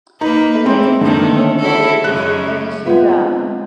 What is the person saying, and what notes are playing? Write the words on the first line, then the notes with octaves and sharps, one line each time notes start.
A little to the north of it is the Edersee dam.
A#3 D#4 B4
E3 G#3 C4
A#2 D3 D#3 A3
E4 F#4 A4
F#2 C#3 G#3 F#6
G#3 B3 C4 F4 B4 E5